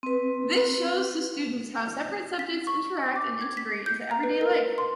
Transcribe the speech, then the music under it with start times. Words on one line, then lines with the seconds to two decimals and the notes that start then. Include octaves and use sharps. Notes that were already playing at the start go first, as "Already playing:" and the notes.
This shows the students how separate subjects interact and integrate into everyday life.
0.03 C4 B4
2.39 B6
2.67 C#6
3.16 D6
3.41 G#6
3.57 B6
3.86 G6
4.11 A#5
4.23 B4
4.41 A#4
4.78 C6